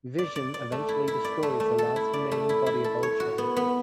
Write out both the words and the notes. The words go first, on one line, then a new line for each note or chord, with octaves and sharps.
Vision eventually destroys the last remaining body of Ultron.
D5
D5
D5
A3
E4
E4
D5
A3
A3
A4
E4
D5
A3
E4
E4
A4
C#5
F#4
B3
B3